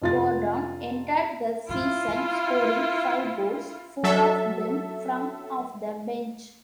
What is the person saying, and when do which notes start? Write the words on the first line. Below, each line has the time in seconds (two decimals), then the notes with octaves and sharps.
Gordon ended the season scoring five goals, four of them from off the bench.
0.02 F1 F4 A6
1.66 E4 F4
4.03 F#3 A4 E5